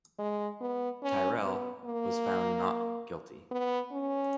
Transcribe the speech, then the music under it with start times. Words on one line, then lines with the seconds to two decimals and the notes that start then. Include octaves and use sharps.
Tirrell was found not guilty.
0.19 G#3
0.61 B3
1.03 C#4
1.44 B3
1.85 A#3
3.51 B3
3.92 C#4